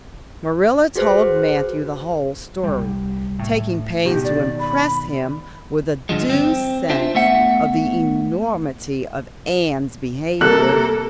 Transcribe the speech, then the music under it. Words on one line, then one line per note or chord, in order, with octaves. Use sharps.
Marilla told Matthew the whole story, taking pains to impress him with a due sense of the enormity of Anne's behavior.
F#4 G#4 B4 C5
C2 G3
A2
B2 D#3 G4
D5
B5
G2 D3 F3 G#3
C4
D4 F4 C5 E5
A3 B3 E5 F#5
C3 G3 A#3 A4 A#4 F#6